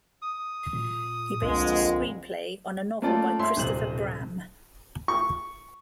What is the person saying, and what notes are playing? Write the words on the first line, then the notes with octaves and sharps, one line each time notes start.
He based his screenplay on a novel by Christopher Bram.
D#6
A#2
C2 F2 A#2 D3 G#3
A3 A#3 C#4 F4 A4 D5
C#5 E5 C6
D#1 B1 C3 C5 F#7
C#6